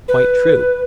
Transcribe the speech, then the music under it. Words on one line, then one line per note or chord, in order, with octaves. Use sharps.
Quite true.
B4